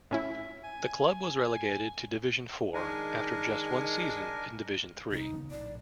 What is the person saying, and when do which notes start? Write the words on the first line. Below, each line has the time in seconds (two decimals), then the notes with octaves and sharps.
The club was relegated to Division Four after just one season in Division Three.
0.11 A2 C#4 E4 E5
0.64 G#5
2.74 D#3 G#3 D4 A#4 G#5
5.12 C2 D#4
5.32 D#1 C#3 B3
5.51 A#1 A2 D5